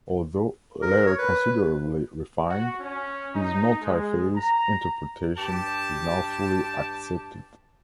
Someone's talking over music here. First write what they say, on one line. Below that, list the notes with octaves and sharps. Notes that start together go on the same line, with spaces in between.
Although later considerably refined, his multi-phase interpretation is now fully accepted.
A#4
C#5
B4
F#4
C#4
D#4
G#3
A#5
G2 G4 A5